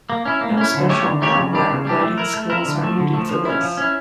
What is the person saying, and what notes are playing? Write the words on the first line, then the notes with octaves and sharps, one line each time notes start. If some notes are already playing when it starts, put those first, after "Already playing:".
No special malware writing skills are needed for this.
A#3
C#4 E4
A#3
C#4 E4
D3
A3 C#4 G4 C#5
D3
A3 C#4 G4 C#5
C#3
G3 D4 G4
C#3
G3 D4 G4
A3
E4 A#4
A3
E4 A#4
D3
F3 A3
D3
F3 A3
F3
C#4 E4
F3
C#4 E4